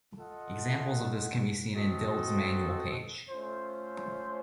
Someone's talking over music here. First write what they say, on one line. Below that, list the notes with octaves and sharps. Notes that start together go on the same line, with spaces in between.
Examples of this can be seen in dyld's manual page.
F4 A4 D#5 F#5
C4 F#4 A4 D#5
A3 C#4 F4 C5